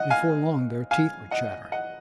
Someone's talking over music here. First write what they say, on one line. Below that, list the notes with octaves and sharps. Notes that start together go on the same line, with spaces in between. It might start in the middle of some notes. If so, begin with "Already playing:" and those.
Before long their teeth were chattering.
Already playing: D#5 F#5
F5 G#5
F5 G#5
D#5 F#5
D#5 F#5